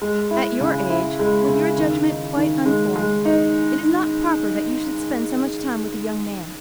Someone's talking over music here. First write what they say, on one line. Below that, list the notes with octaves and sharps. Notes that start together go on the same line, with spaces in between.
At your age, with your judgment quite unformed, it is not proper that you should spend so much time with a young man.
G#3
E4
C#3
E4
G#3
C#3
D#3
D#4
D#3
G#3
G#3
D#4